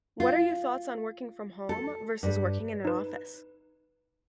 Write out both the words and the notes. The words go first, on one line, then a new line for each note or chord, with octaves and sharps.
what are your thoughts on working from home vs. working in an office?
F4
A4
G2
D#4 B4